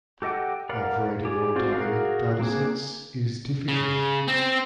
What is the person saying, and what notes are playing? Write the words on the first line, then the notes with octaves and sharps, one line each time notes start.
Operating on dynamic data sets is difficult.
G4 A4 D#5 F#5 G5
A#4 D5 F5 F#5 B5
G4 G#4 D5
C4 F4 F#4 C5 D5
F#4 G#4 A#4 D5 F5
A#3 C4 D4 G#4
C#3
C4